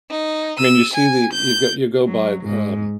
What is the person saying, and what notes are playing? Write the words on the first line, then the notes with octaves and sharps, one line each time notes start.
I mean, you see the you go you go by, um,
D#4
E6 D#7
G#5
G6
F#3
G#2